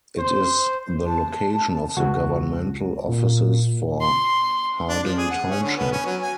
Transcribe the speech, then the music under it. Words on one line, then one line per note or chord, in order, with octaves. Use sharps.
It is the location of the governmental offices for Harding Township.
C5
A5
C#2 F#4
A#2
C6
D4
F3
G#4
F#5
C#4
D3
B3
C#4
F#3
G#5